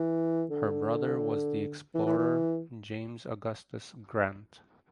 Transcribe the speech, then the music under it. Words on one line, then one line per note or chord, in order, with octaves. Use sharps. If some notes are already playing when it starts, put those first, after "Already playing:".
Her brother was the explorer James Augustus Grant.
Already playing: E3
D3
E3
E3
E3